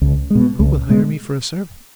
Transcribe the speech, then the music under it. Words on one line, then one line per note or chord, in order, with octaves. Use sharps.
Who will hire me for a servant?'
C#2
B2 G#3
C#2
B2 G#3